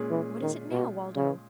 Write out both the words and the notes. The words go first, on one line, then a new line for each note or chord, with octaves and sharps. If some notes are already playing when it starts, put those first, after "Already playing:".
"What is it now, Waldo?"
Already playing: A#2 G#3 C#4 G#4
E3
D#3
B2
C#3